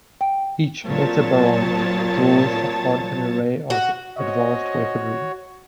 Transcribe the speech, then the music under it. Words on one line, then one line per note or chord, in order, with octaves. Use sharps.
Each Metabaron draws upon an array of advanced weaponry.
G5
A#2 F#3 C4 C#5 A5 A6
F#4
C#4 F#4 C5 C#5 D#5